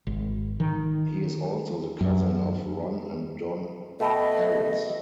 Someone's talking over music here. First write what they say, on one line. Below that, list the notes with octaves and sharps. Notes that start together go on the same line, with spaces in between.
He is also the cousin of Ron and Don Harris.
G#1
D#3
F#2
B2 A3 A4 D#5 G5